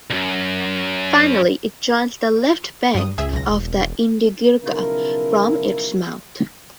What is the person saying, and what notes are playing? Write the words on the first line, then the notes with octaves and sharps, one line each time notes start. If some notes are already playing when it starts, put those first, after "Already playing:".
Finally it joins the left bank of the Indigirka from its mouth.
C2 F#2
G2 D#6
C#2 G#4 E5
B1 A#6
E1
B1 C#3 F3 E4 A#4